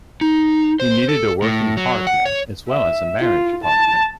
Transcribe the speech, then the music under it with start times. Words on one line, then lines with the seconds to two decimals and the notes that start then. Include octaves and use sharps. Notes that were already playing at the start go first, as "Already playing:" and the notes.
He needed a working partner as well as a marriage partner.
0.21 D#4
0.80 C5
1.09 A4
1.42 A2
1.77 F#3
2.07 F#5
2.25 C#5
2.68 E5
3.21 F4
3.64 A5